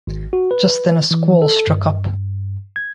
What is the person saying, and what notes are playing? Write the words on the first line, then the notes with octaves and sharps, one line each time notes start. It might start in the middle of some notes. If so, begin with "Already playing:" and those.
Just then a squall struck up.
G#1
F#4
B4
E3
A4
G2
G#6